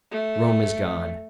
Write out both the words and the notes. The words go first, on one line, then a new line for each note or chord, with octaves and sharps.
Rome is gone.
A3